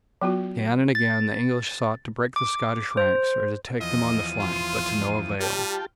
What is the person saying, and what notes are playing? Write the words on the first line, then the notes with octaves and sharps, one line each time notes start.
Again and again the English sought to break the Scottish ranks or to take them on the flank, but to no avail.
F#3 B3 F4 F#4
A6
D6
C5
E2 F3 D#5 D#7
F4 C6
G3 F4 G4 G5 A5